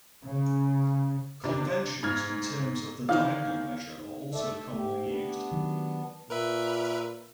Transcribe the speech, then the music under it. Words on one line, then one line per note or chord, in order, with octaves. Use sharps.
Conventions in terms of the diagonal measure are also commonly used.
C#3
C3 D4
G#2 F6 G#6
D#3 E3 F5
D#4
A3 A4 D5 E5
G#2 A3 G4
B3 D4 G4
D#3 F#3
A#2 A#4 B4 E5